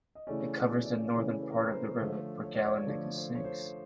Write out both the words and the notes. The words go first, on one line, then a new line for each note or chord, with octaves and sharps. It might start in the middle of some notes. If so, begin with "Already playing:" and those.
It covers the northern part of the river Bregalnica sinks.
D#5
C#3 E3 A3 C#4 D5
C#5
D5
C#5
D5
C#3 E3 A3 C#4 C#5
B4
A#4
B4
C5
D3 F3 A3 C#5
C#5
D5
C#5
D3 F3 A3 D5
C5
C#5
C5